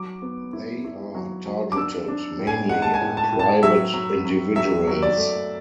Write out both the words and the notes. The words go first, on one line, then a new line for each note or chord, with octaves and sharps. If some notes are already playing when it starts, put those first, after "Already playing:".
They are targeted mainly at private individuals.
Already playing: F#3 D6
B3
E4
E4
F#3
F#3
D6
D4 E6
D4
A2
G#5
G#3 F#5
A5
G#5
A2
A5
A2
A5
F#3 E5
F#3
F#3
F#3 E5
F#3
D5
A3